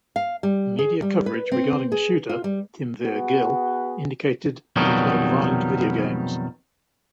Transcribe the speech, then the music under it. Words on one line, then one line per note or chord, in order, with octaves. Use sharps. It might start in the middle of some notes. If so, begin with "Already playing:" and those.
Media coverage regarding the shooter, Kimveer Gill, indicated that he played violent video games.
F5
G3
G#4
G3
B4
C4
G#4
F4
G3
B3 F#4 G#4 B4
F2 B2 D#3 F#3 G3